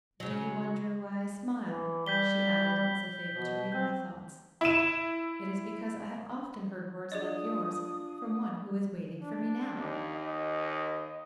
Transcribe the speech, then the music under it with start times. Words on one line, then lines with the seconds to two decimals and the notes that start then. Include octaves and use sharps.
"Do you wonder why I smile?" she added, as if able to read my thoughts. "It is because I have often heard words like yours from one who is waiting for me now."
0.20 C#3 F#3
1.61 E3
2.06 G3 G6 B6 G7
3.31 B2
3.72 C4 G6
4.61 E4 E7
7.12 D4 F4 G#4 D5 D#5 D#6
9.22 D4
9.77 D#2
10.15 D#5